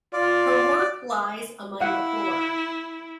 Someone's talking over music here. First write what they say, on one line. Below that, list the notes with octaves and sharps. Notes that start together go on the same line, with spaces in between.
Her work lies among the poor.
F4 D5
E4 F5 F#5